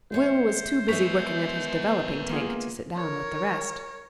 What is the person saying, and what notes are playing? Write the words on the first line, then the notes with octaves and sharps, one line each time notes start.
Will was too busy working at his developing tank to sit down with the rest.
D#2 C5 C#5 E5
G#3 B3 A#4 C#5 E5 C#6 B6
A#3 F4 G#4
A#4 C#5